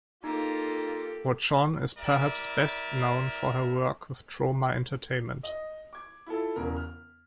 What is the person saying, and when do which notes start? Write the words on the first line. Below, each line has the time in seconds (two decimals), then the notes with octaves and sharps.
Rochon is perhaps best known for her work with Troma Entertainment.
0.24 A#3 D#4 F4 G4 A4
1.98 G3 E4 A#4 D5 E5
5.43 D#5
5.93 D6 G#6
6.26 E4 F4 A4
6.56 E1 C#3 A#4
6.76 F6